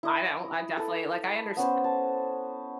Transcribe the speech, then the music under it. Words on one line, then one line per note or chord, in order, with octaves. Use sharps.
I don't, I definitely, like, I understa
E4 D#5
A4 B4
B3 C#4 B4 C5
A5